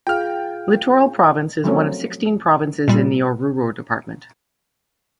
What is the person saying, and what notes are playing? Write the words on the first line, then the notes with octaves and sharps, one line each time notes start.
Litoral Province is one of sixteen provinces in the Oruro Department.
F4 G#4 F5 G5 F6
F3 F#3 A3 A#3 C4 C#4
A#2 G3